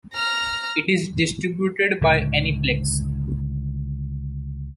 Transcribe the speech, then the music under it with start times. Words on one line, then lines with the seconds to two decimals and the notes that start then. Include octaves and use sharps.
It is distributed by Aniplex.
0.15 A#5 F6
2.01 C#2 A2 D3